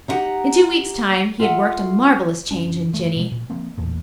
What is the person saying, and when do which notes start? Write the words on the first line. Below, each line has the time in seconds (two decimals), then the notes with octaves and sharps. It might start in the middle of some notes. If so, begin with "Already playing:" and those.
In two weeks time he had worked a marvelous change in Jinny.
0.08 D#4 E4 G4 F#5 A#5
1.40 F4 A4 E5 F#5
2.51 F#1 C#4 D4
2.94 G2 D#3 A3
3.16 B2 G#3
3.31 A#2
3.50 F3 A#3 C4
3.78 A1 E2 A#2